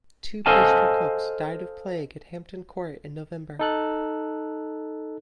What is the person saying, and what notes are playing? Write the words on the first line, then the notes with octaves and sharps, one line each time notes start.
Two pastry cooks died of plague at Hampton Court in November.
A4 C5 D#5 F5 G#5 A5
D#4 A4 F#6